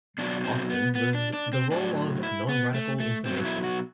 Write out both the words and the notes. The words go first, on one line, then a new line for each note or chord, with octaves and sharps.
Austin was the role of 'non-radical information'.
B2 F#3 D4
C4
B3
B3
D4
D4
C4
A2 F#3 D4
E4
B3
A3
A3
B2 F#3 C4
E4
F#4